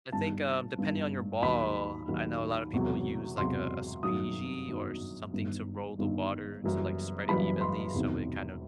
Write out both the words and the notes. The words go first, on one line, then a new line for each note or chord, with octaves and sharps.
I think, um, depending on your ball, I know a lotta people use like, uh, a squeegee or something to roll the water to like spread it evenly, so it kind of
G1 G2 D#3 G3 A5
G1 G2 D#3 G3
D#2 D#3 F#3 B5
D#2 D#3 F#3
E1 E2 C3 F#3
E1 E2 C3 F#3 C6
G1 F#2 D#3 F#3 D#6
G1 F#2 D#3 F#3
G1 G2 D#3
G1 G2 D#3
F#1 F#2 E3 G3
F#1 F#2 E3 G3 B5
C6
E1 E2 C3 D#3